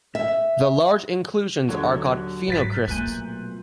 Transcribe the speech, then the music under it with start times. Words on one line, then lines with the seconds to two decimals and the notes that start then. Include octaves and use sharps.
The large inclusions are called phenocrysts.
0.15 E5
1.69 D#1 D3 F#3 C#5
2.48 G#2 B4 A6 B6
2.88 B1 A#2 A3 A#3 G#5 F#6 G6